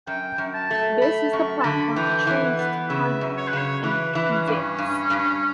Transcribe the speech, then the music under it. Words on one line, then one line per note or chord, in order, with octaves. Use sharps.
This is the platform for trains to Plymouth and Penzance.
F#2 G5
F#2
A5
A3
A3 B5
F#2 C#6
A5
D3 B5
E3 G5
E3
F#5
B3
C#3 E5
F#2
C#5
B4
C#3 C#5
E3 B4
E3
C#4
G2
G2
G2